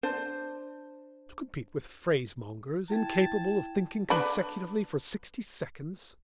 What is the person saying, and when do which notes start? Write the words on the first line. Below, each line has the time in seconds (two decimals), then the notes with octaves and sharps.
To compete with phrasemongers, incapable of thinking consecutively for sixty seconds?
0.03 D4 C5
2.90 E4 G5 A5 G#6
4.10 D4 B4